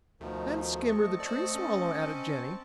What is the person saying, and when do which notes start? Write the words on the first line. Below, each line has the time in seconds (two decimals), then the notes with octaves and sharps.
"And Skimmer the Tree Swallow," added Jenny.
0.21 D2 B2 D#3 F3 A3
0.88 C4 D#5 A5 C#6
1.20 C5 D5
1.55 C#4